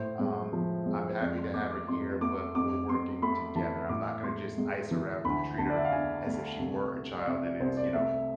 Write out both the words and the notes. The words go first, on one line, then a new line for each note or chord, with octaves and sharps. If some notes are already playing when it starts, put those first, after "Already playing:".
Um, I'm happy to have her here, but, we're working together I'm not gonna just ice her out and treat her as if she were a child and it's, you know,
Already playing: A2 C5
G#3
F3
G#3
C5
F2 D5
C6
A3 D6
D6
F2 C6
A3 D6
F2 D6
F2 C6
A3 B5
E3 A5
A2 D6
D6
G#3 C6
G#3
E3
D2 B5
D2 A5
D5
E5
F5
D3 G#5
A3
C2
C2
D5
C3 E5
D5
C2 C5
D5
A3 E5